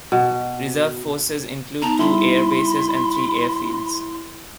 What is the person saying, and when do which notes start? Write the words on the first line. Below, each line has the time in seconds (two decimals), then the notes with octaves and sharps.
Reserve forces include two air bases and three airfields.
0.12 B2
1.82 B3 D#4 A5 A#5
1.99 G3 E4 B5 C6